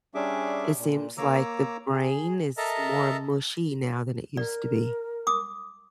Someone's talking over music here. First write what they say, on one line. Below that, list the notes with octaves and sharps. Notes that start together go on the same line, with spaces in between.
it seems like the brain is more mushy now than it used to be.
G3 C#4 D4 G#4 E5 D6
A#2
A#3 C#5 A#5 D6 E6
G#4
A4 A#4 D#5 E5 A5 A#5
A#4 D5
D6 D#6